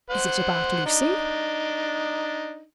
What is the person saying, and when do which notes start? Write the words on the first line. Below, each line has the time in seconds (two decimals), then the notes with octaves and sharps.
"Is it about Lucy?"
0.10 C5 F#5
0.86 D4 D#4